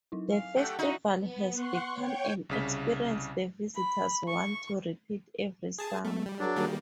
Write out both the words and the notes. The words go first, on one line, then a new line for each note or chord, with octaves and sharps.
The festival has become an experience the visitors want to repeat every summer.
F#3 D#4 E4
F5 G#5
A3 G4 A4 F#5 D7
D#4 E4 F#4 D5
B3
F#5 C6 C#6
C#5 G5
C2 C#3 B6
B5
C#6
G#4 A5
G#3 A3 B3
G3
F#3 D4 F#4 G#4 A#4
D#3 G3 A#3